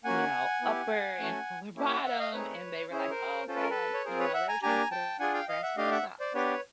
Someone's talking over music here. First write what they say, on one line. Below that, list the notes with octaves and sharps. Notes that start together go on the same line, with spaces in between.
you know, upper and fuller bottom and they were like, "Oh, okay," like, you know, they were trying to put her as plus size,
A#3 C#4 F#4 F#5 G#5
B3 E4 G4
A3 C#4 F#4 A4
A#3 C#4 E4 G4
E5 F#5
E5 F#5
D#5 F5
A3 C4 D#4 G#4 B4 C#5
C#4 E4 G#4 C5
C#5
A#4 C5
C#4 F4 A4 C5
B4
A#4
A4 B4
C#5
C4 F4 G#4 A#4 C5
B4 C#5
E5 F#5
G#5 A#5
A#3 D4 G4 G#5 A#5
G5 A5
D4 F4 G#4 F#5 G#5
F5 G5
D#5 F5
E5 F#5
A3 D4 G4 D#5 F5
E5 F#5
C5 D5
B3 D4 G4 B4 C#5